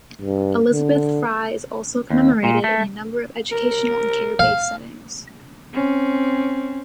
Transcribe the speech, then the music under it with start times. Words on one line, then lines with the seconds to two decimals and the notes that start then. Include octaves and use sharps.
Elizabeth Fry is also commemorated in a number of educational and care-based settings.
0.21 G2
0.71 D3
2.10 D#2
2.44 A#2
2.64 A3
3.52 A#4
4.39 F5
5.73 C4 C#4